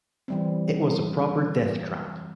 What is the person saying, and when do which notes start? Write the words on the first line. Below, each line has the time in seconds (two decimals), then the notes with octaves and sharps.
It was a proper death trap.
0.28 E3 G3 C4